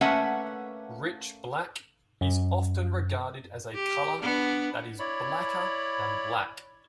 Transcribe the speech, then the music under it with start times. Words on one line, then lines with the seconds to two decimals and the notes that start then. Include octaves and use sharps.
Rich black is often regarded as a color that is "blacker than black".
0.01 A3 A#3 C#4 B4 E5 F#5
2.21 F#2
3.75 G4
4.22 B3 D4
4.99 E4 C#5 D5 B5